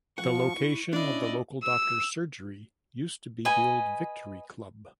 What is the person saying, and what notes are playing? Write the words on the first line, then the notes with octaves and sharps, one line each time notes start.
The location of the local doctor's surgery used to be the old Victory Club.
F3 F#5 C#6
E4
C#4 D4 E4 D5 D#5
E6
B4 D#5 G#5